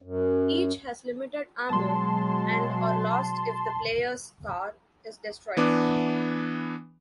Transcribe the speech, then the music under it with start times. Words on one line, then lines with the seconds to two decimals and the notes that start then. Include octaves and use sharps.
Each has limited ammo and are lost if the player's car is destroyed.
0.02 F#2
1.69 B2 F#3 G#3 A5 C6
5.57 E3 B3 D4 D6